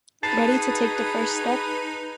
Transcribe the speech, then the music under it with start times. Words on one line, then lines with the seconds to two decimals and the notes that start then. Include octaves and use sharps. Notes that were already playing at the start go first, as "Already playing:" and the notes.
Ready to take the first step?
0.23 D#4 F#4 G#4 B4 A5 A6 C7 D#7